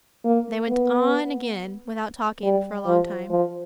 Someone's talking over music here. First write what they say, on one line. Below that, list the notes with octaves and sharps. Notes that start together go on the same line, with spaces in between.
They went on again, without talking, for a long time.
A#3
B3
G3
F3
F3